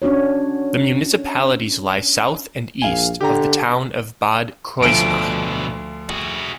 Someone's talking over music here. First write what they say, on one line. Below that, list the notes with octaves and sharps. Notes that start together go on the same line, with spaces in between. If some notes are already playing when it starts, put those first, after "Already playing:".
The municipalities lie south and east of the town of Bad Kreuznach.
C#4 D4 F#4 C#5
A#1 F5 G#5
D3 G4 A#5
D2 B2 D3 F3 D7
F#4 G#4